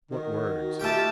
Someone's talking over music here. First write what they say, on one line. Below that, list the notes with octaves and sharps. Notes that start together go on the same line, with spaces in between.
"What words?"
D#3 F#4
A3 F4 G4 G5 A5